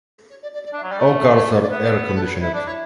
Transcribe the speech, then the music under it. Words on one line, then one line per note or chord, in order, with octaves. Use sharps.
All cars are air-conditioned.
C#5
D5
D5
D5
D4
E5
F#3
G3 D5
A3
C#5
E5
C#5
D5
B3 E5
D5
C#5
B4
A4
B4
C#5
E4 E5
D4 D5
E4 C#5